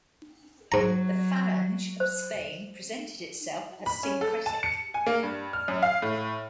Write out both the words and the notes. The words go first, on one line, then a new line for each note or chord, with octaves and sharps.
The Falange of Spain presented itself as syncretic.
G#2 F#3 A#5
C5
B5
C#4
A4
A5
C#7
G#5
A#3
G2
F6
F#2
F5
A2